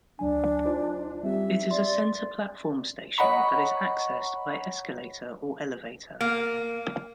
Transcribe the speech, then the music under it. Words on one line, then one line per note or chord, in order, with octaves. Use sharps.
It is a center-platform station that is accessed by escalator or elevator.
D2 F#3 D4 G#5
D#4 F4 C5
G3 C4 G4 E5
D5 C6
C#5 D#5 F#5 A#5 B5 C#6
A#3